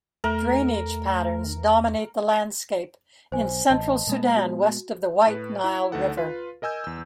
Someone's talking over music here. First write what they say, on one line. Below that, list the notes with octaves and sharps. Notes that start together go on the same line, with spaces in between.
Drainage patterns dominate the landscape in central Sudan west of the White Nile River.
E2 A3 A#4
B1 C5 G#5
A1 D#5 A5
A#2 G#3 B3
F#4
A2 B4
E4
D2 D#4 A4 F#5
F4 B4
A#4 D#5 G#5 E6 G6
E2 E6